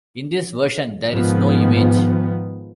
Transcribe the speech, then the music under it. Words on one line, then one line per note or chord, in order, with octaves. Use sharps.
In this version there is no image.
G#2 D#3 F3 B3